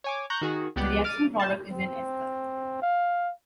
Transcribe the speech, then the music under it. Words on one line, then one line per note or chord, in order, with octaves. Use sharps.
The reaction product is an ester.
C#5 G#5 D6
A#5 C#6 F#6 G6 A#6
D#3 F#4 G#4
C#2 B3 G4 D5 F#5
D6 F6 A6 D#7
A5
C4
F5